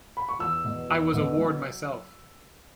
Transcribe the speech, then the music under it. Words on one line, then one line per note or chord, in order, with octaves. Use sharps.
I was a ward myself.
B5
C#6
E2 E6
B2
E2
B2
F#3